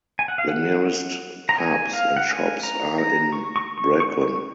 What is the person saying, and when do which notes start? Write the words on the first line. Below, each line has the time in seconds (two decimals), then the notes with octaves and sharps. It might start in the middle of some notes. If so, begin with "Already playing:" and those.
The nearest pubs and shops are in Brecon.
0.19 G#5
0.28 F#5
0.38 F5
0.48 F#5
1.49 A#5
1.58 G#5
1.93 F5
2.17 F#5
2.29 G#5
2.63 A#5
2.98 A#5
3.32 C#6
3.56 C#6
3.78 C#6
4.00 C#6
4.22 C#6